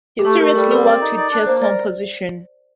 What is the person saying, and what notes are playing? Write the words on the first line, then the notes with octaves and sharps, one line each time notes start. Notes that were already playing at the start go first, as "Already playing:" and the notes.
He seriously worked with chess composition.
G4
A3 A4
A3 A#4
G3 A4
C4 A#4
D5
D#4
D5
D4
A#3 C5
A#4 D5